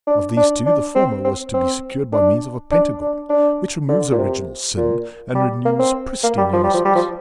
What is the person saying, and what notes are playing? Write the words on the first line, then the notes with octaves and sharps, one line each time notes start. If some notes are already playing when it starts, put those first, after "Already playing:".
Of these two the former was to be secured by means of a Pentagon, which removes original sin and renews pristine innocence.
D4
D4
D4
C4
C4
C4
D4
D4
D4
D4
D3
A#2
C3
A#2
G3
A#3
C4
A#3
G3
F3
G3
F3
G3
F3